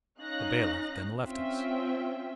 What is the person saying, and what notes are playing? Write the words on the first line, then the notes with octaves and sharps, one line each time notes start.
The bailiff then left us.
C#4 D#4 F5 F#6 A#6
C4 C#4 F4 E5 G5